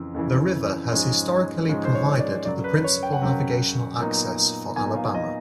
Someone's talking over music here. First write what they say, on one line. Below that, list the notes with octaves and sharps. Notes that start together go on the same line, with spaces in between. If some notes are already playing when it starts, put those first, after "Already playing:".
The river has historically provided the principal navigational access for Alabama.
Already playing: F2 C#3 E3
F2 C#3 E3
G#2 F3 G#3 C#4
G#2 F3 G#3 C#4
C5
C#5
D5
F#2 C#3 F#3 D5
B4
C#5
G5
F#5
F#2 C#3 F#3 G5
A#2 F#3 B3 D#4
A#2 F#3 B3 D#4 G#5
F5
D#5